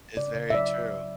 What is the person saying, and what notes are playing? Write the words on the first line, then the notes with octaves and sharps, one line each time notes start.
It's very true.
C#3 D5
C#3
E5
F#3 D5